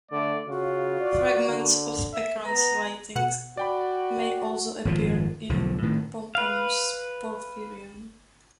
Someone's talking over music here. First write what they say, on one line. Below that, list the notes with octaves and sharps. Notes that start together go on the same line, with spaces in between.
Fragments of Acron's writing may also appear in Pomponius Porphyrion.
D3 A3 D5
C#3 F4 F#4
D5
D3
E5
B3 B4 A#5
B2 F#5
F#4 D5 G5 B5
G#1 F#2 B2 F3
B1 E2 D3 F3
A2 D#3
B4 F5